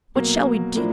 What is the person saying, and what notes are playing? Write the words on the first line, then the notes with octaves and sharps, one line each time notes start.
What shall we do?
B2 F#3 A#3
A2 F3 A#3 D4